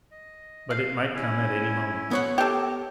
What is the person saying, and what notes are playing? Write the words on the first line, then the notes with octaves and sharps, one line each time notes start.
But it might come at any moment.
D#5
F5
C#4 E4 G#5
B3 C#5 F#5
G4 A4 A#4